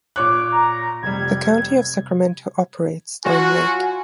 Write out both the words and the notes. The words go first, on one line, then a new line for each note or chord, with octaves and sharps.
The County of Sacramento operates Stone Lake.
A#2 C#5 D6 F#6
A#5
F1 G3 G#6
F#3 F4 F#4 G#5